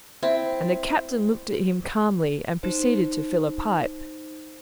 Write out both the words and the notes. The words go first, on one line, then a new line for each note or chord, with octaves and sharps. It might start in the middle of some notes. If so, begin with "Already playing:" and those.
And the captain looked at him calmly and proceeded to fill a pipe.
C4 E4
D#4 C5